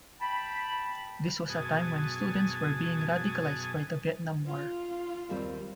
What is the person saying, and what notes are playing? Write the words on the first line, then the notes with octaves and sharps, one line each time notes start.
This was a time when students were being radicalised by the Vietnam war.
G5 A5 B5
F#2 B2 G#4 G#5 A5 D#6
F4
D#2 G3 C4